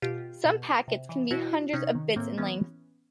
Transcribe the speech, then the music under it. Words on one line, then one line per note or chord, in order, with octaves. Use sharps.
Some packets can be hundreds of bits in length.
B2 F4 G4
B2
C3
E3
B2 E4 F#4
C3 C#4 D#4
D#3
A2 A#3 C4
E3 B3 C#4